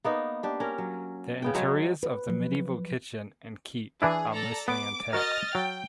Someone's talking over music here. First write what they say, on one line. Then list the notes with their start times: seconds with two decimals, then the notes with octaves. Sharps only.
The interiors of the medieval kitchen and keep are mostly intact.
0.04 A#3 B3 D#4
0.43 D4 G4
0.60 C#4 A#4
0.78 F#3
1.42 C#3 B3 G5
1.55 F#3 G#3 C5 C#5
2.03 B4
2.28 F3 F#3
4.02 E3 D4 E4 G#4
4.34 A4 D5 A#5
4.68 B3 D6
5.13 F#4 A#4 D#5 F6 A6
5.55 F#3 G5